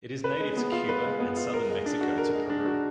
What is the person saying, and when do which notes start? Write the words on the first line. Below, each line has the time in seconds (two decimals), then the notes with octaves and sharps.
It is native to Cuba and Southern Mexico to Peru.
0.24 B4
0.40 G#3
0.57 B3
0.72 F4
0.89 B4
1.05 G#3
1.20 B3
1.36 F4
1.54 A#4
1.70 G#3
1.86 D4
2.01 F#4
2.18 A#4
2.34 G#3
2.49 D4
2.66 F#4